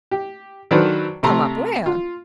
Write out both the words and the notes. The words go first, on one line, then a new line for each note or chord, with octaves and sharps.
"Come up where?"
G4
D#3 F#3 D4 A4 B4 C5
C3 A3 A5 A#5 C6
F4